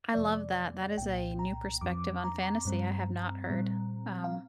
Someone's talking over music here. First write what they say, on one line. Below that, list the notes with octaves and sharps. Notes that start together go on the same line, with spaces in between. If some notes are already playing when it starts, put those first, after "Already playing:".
I love that, that is a new perspective on fantasy I have not heard, um.
F2 C3 F3 A#3 D5
C2 A#2 A#3 G5
A#5
F2 F3 C4 D6
A#5
G2 G3 C4
A#2 G3 C4
F5